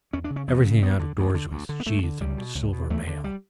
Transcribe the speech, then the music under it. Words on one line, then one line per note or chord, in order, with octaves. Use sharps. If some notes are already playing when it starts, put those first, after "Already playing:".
Everything out-of-doors was sheathed in silver mail.
E2 C#4
D4
C#3
C#4
E2 B3
C#3
D2 B3
D3
D2
D3
D2
D3
B3
D2 A3
D3
C#2 G3
B2
C#2
B2
E2 A3
D3
G3